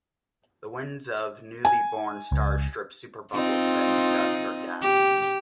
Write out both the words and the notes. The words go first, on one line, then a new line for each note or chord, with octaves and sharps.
The winds of newly born stars strip superbubbles of any dust or gas.
G#5
C#2
C4 D#4 F4
G4